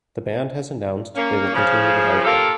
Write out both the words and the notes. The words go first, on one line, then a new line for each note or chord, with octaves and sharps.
The band has announced they will continue without him.
A#3 C#4
C#3 F3
A#3 D4 F4 G4 A4 A#4